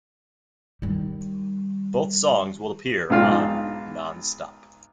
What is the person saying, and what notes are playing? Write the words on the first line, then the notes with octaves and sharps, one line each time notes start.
Both songs will appear on "Non-Stop".
D#3 G3
B1 G#2 D4 F4 F5 G5